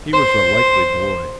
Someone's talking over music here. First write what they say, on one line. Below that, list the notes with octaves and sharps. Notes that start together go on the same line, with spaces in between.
He was a likely boy.
C5